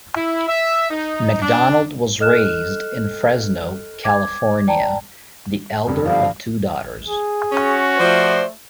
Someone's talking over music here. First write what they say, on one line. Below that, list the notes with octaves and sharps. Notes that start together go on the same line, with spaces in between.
McDonald was raised in Fresno, California, the elder of two daughters.
E4
E5
D#4
D4
A4 D#5 F6 F#6 E7
D6 G#6
D5 G5 A5 A#5
F1 G2
G2 D3 F3 F5
G#4
C#4 F#4
F3 A3 C5 D5